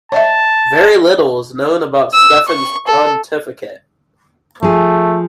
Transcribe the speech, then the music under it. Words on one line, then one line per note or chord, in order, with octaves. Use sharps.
Very little is known about Stephen's pontificate.
C#5 D#5 E5 A5
E6
C#6
A4
F3 A3 G#4